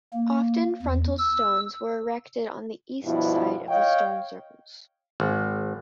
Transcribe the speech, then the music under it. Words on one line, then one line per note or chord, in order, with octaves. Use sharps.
Often frontal stones were erected on the East side of the stone circles.
A#3
E2
E6
G2 B2 F3 E4
C#5 D#5 F5 G5
G#1